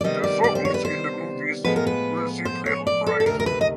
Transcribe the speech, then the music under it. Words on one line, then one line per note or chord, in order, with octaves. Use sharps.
The songs in the movies received little praise.
D5
C3 D#3 G3 B3 D#5
D5
D5
C5
C#5
B4
C5
A2 F3 G#3 B3 B4
A#4
B4
C5
C#5
D5
A4
A4
D2 C3 D#3 A#4
A#4
B4
D#5